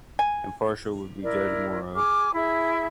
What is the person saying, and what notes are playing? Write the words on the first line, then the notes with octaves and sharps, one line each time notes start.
Impartial would be Judge Moro.
G#5
E4 A#4 D5
G#4 G#5 D6 F6
E4 G#4 E5